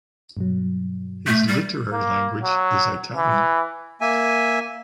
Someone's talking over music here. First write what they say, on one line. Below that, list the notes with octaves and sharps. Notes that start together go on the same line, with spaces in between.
His literary language is Italian.
G2 B2 F#3
A3
G3
A#3
F#3
E3
A#3 E5 G#5